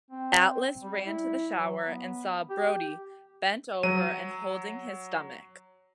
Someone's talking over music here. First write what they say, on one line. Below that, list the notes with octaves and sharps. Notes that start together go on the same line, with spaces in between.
Atlas ran to the shower and saw Brody bent over and holding his stomach.
C4
G3
E4
F#3
B3
G4
F#3 D#7